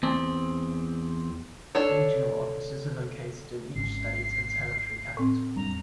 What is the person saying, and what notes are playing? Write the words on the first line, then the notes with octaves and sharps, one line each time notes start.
Regional offices are located in each state and territory capital.
E2 C4
D4 A4 C#5
G#1 C#4 C7
A2 C4
E2 G3 D4 A#5